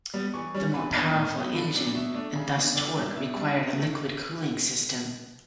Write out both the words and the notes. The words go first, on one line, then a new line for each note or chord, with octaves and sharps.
The more powerful engine and thus torque required a liquid cooling system.
G3 B3
E3 C#6
G3 C#4
E3 B5
B3 D4
A2
F#3 B3
D3 B5
F#3 B3 D4
B2 E5
A3 D4
C#3
E3 B3 D4
D3 D5
G3 D4
B2 E5
G3 D4
B2
A3